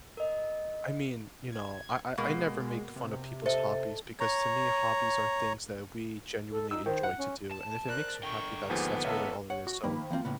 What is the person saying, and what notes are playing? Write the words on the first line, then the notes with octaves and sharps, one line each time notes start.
I mean, you know, I I I never make fun of people's hobbies because to me, hobbies are things that we genuinely enjoy to do and if it makes you happy that's that's really all it is so,
A#4 D#5
G#6
B2 G#3 A#3
C3
A4 C5 D#5 E5
C#5 A#5
A4
D#4 E6
D#3 C5
F#5
C#4
A5
A#4 C5 D5 F#6
D3 G5 C#6
D#2 G#2 F3 B3 G#4
A1 A#3 A4 C#5 E5
C#5 F#5
F#4 C#6
D#3 F3 A#3 B5
E3 F3 A#3 C4 F4
A2 C#3 B3